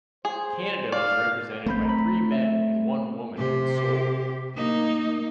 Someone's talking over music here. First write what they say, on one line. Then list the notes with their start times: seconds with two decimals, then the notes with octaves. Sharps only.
Canada was represented by three men and one woman in Seoul.
0.25 G#4 C5
0.92 D5 F5
1.66 A1 A3 C4 B5 G6
1.85 A#5 B5
2.32 E5
3.37 C3 G4
4.55 A#3 D#4